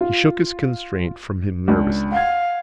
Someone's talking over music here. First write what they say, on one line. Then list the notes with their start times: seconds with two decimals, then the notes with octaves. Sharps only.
He shook his constraint from him nervously.
0.01 F4
1.68 C#2 D4
2.12 F5 F#5 G#6